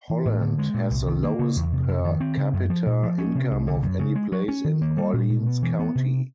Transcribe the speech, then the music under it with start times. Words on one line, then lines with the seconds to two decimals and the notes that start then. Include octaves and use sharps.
Holland has the lowest per capita income of any place in Orleans County.
0.10 E3
0.25 A2
0.41 D3
0.59 G#3
0.74 A#2
0.90 C2
1.07 D#3
1.24 A#3
1.39 C#3
1.56 E2
1.72 C3
1.88 F2
2.05 D#3
2.21 C4
2.37 C#3
2.53 F#2
2.70 F3
2.86 A#2
3.03 F3
3.18 C#4
3.35 C3
3.51 C2
3.67 D3
3.83 F#2
3.99 C#3
4.15 G#3
4.32 F#3
4.48 C#4
4.64 D#3
4.82 A#3
4.97 G3
5.13 A#2
5.30 B2
5.46 B3
5.62 E3
5.79 B3
5.95 C3